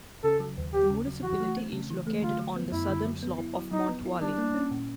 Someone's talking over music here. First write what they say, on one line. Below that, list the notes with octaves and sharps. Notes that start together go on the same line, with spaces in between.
The municipality is located on the southern slope of Mont Vully.
C#3 A4
F#3
D#2
D#2 G4
C#3
F#3
E3 F#4
A3
C4
C#3
E3
A3
D3 F4
F#3
B3
F#2 E4
D3
F#3
B3
E4
F#3
F#3 D#4
B3
E4
G3 D4
A#3
C#4
A#2